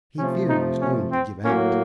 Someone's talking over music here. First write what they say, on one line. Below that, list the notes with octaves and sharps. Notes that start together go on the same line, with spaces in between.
He feared he was going to give out.
C3 F3 A3 C#4
D#4
C#4
C4
A2 F#3 A#3 C#4